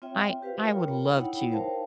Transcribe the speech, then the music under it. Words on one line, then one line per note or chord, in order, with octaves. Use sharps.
I I would love to,
C4 F4 C#5 E5 G5
G4 B4 C5 F5
F4 A#4 C#5 G5 B5
D#4 E4 C#5 F#5 G5 B5
A#4 C5 C#5 F5 G5 A5